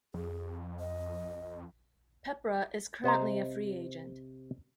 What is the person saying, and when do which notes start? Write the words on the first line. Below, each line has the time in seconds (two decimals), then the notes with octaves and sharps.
Peprah is currently a free agent.
0.14 F2 G#4
0.80 D#5
3.04 C3 C5 D#5 A#5